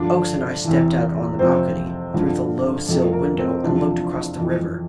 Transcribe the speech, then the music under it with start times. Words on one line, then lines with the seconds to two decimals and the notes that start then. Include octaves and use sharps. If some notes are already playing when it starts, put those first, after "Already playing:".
Oakes and I stepped out on the balcony, through the low-silled window, and looked across the river.
Already playing: G2 D3 F3 D4 D5
0.64 E2 C3 E3
1.39 F2 C3 F3 C4 C5
2.14 G2 D3 F3
2.89 F2 C3 F3 A4
3.13 A#4
3.38 C4 C5
3.63 E2 C3 F3 D4 D5
4.38 F2 E3